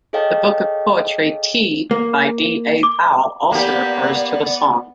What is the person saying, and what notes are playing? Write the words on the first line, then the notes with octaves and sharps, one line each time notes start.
The book of poetry "Tea" by D. A. Powell also refers to the song.
G#4 A4 C#5 D#5 F5 G5
A#3
D6
A#3 B3 G4 D5